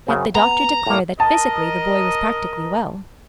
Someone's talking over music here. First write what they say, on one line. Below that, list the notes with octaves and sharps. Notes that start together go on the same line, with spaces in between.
Yet the doctor declared that physically the boy was practically well.
F#2 C#3 C4
B3 A#5
A2 A#3
A#4 D#5 A5